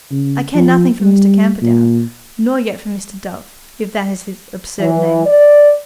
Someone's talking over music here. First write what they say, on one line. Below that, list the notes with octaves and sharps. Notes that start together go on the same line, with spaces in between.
I care nothing for Mr. Camperdown; nor yet for Mr. Dove,--if that is his absurd name.
C#3
F3
G3
A#2
E3
D5